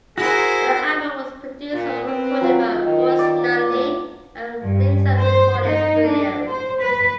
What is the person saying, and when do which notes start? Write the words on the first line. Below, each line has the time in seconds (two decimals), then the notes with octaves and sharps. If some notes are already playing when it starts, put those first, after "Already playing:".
The album was produced and recorded by Royce Nunley at Ringside Recording Studios.
0.18 E4 F#4 G#4 A#4 C5
1.72 A#2
2.04 C4 B4
2.41 F#3 F4
2.75 D#3
3.19 D5
3.68 A2
4.61 G2
5.19 C5
5.66 D#4
6.08 D4
6.50 C5
6.81 B4